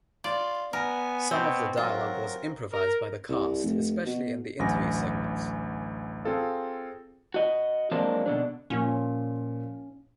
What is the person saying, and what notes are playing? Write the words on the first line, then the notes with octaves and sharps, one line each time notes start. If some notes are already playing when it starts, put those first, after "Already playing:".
Some of the dialogue was improvised by the cast, especially in the interview segments.
F4 D5
B3 A#4 G#5
B2 C4
F#3 F4 A#4
A#4
C2
F1
B2
A1 D2 F#3 G#5 A#6
C4 F4 G#4 A4 F5
F#4 D#5
F3 F#3 G#3 A#3 C4 D4
B2 D3 D4
A#2 F3 C#4